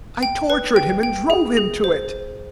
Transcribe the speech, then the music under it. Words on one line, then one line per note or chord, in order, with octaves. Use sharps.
I tortured him and drove him to it.
G5
B4
G5
G5
G#4
G#4
C5